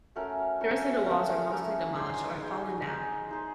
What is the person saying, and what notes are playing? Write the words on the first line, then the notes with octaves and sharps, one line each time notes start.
The rest of the walls are mostly demolished or have fallen down.
A3 C#4 F#4 A#4
A3 C#4 F#4 A#4
A3 C#4 F#4 A#4
A3 C#4 F#4 A#4
D#4 G#4 C5
D#4 G#4 C5
D#4 G#4 C5
D#4 G#4 C5